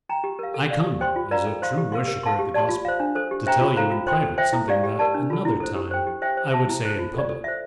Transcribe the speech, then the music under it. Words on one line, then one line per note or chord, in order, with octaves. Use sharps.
"I come, as a true worshipper of the Gospel, to tell you in private something that, another time, I would say in public."
G5 A#5
G4
A#4 F5
A4
D5 F5
G4
C5 G5 C6
F4
A#4 D5 F5 A#5
A4
C5 F5 C6
G4
A#4 F5 C6
A#4
F5 A5 C6
G4
D5 A5 C6
F4
C5 F5
D4
A4 C5
G4
C5 E5 G5 A#5
F4
A4 C5 F5 A#5
F4
C5 G5 C6
A4
C5 E5 G5
E4
G4 D5 F5
G4
A#4 D5 A5
D4
F4 A4
E4
A4 C5
G4
C5 G5
G4
C5 E5 G5
C5
E5 A5
E4
A4 C5
F4
A4 D5
A4
C5 E5